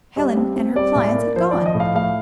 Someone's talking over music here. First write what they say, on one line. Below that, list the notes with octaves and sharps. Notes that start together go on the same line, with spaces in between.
Helen and her clients had gone.
G3 D#5
C4
C4
G3 D5
A2
A#3
F3 C5
F3 D5
D#5
A2
F5
A3 F5